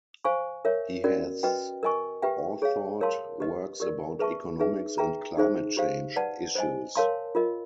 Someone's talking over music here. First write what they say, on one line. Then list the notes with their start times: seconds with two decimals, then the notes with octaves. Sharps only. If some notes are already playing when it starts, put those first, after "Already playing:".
He has authored works about economics and climate change issues.
0.24 C5 F5 G#5 C#6
0.65 A#4 C#5 E5
1.04 C#4 F#4 A#4 D5
1.43 F#4 B4 D#5 G5
1.83 A#4 D#5 G#5 C#6
2.22 G4 B4 E5 G5
2.62 G#4 C#5 F5
3.01 A#4 C#5 F5 A5 C6
3.40 G4 B4 D#5
3.80 G4 A#4 D5
4.19 G#4 B4 E5 A5 C#6
4.59 D#4 G#4 B4 E5
4.98 G#4 B4 E5 G5 A#5
5.37 D#4 G#4 C5 E5
5.77 G4 C5 F5
6.16 B4 D5 F#5 A5
6.55 C5 D#5 G#5
6.95 A#4 C#5 F5 A5 C6
7.35 F4 A#4 D#5